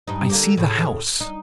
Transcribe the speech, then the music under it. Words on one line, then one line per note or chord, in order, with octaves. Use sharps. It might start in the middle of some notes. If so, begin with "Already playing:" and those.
I see the house.
G2 D#4
D3 A#3 G4
A2 C#3
D#4